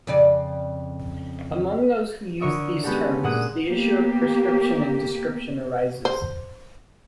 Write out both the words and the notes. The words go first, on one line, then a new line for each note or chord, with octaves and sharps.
Among those who use these terms, the issue of prescription and description arises.
F2 C#3 D5
D3 A#4 C#5 E5 D#6 D7
G#3 B3 C#4 F#4 G4 A4
A#2 G#3 A#3 F#5 D#6 E7
A#3 B3 G4
C5